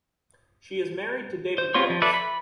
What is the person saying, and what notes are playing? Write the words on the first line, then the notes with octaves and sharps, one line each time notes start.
She is married to David Brooks.
C5
B3 C4 F4 C#5 C6
F3
A4 B4 D5 E5
B5